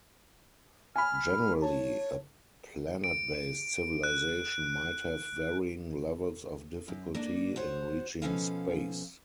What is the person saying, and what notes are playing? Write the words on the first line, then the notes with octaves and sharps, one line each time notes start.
Generally, a planet-based civilization might have varying levels of difficulty in reaching space.
G#5 B5 F6
C#5 A5
D7
F#6
F#2
A#3 D4
F#4 C5 C#5
B2 D3 F3 C#4 A4 F5